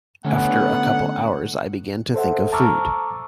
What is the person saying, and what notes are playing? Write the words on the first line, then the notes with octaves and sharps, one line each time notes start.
After a couple of hours I began to think of food.
D3 A3 B3 C#4 F#5
A4 C5 E5 F#5
A5 A#5 C#6 D6 E6 F6